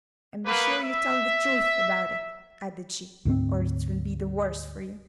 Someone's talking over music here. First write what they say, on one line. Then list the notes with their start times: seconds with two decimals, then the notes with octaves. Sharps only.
'And be sure you tell the truth about it,' added she, 'or it will be the worse for you.'
0.46 A#3 B3 B4
0.81 E5
3.25 D2 G#2 G3 C4